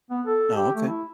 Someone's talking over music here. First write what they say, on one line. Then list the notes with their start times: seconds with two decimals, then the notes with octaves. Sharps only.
Oh, okay.
0.10 B3
0.26 A4
0.55 G4
0.75 A3
0.87 E4